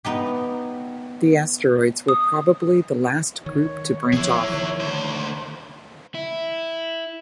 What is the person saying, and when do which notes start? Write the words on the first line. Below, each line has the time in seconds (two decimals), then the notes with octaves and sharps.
The asteroids were probably the last group to branch off.
0.05 B3 D#4 G4
2.08 D#6
3.46 D#3 C#5
4.13 F3 B3 E4 G#4
4.50 D#3 F3
4.80 D2 C5
6.15 E4